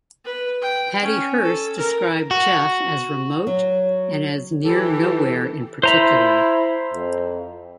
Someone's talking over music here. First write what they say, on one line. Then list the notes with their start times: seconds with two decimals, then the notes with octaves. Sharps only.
Patty Hearst described Jeff as remote and as near nowhere in particular.
0.25 B4
0.62 G5
1.02 C#4
1.43 A4
1.78 A#4
2.31 F#4
3.47 F#3
4.64 E3 G4 A4
5.83 E4 C5 A#5 B5
6.93 F2